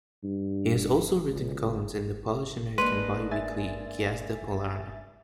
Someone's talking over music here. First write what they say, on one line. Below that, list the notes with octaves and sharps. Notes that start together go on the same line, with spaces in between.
He has also written columns in the Polish-American biweekly, "Gwiazda Polarna".
G2
C#2
G#3 A#3 D4 B4 C6
E5 G#5 A6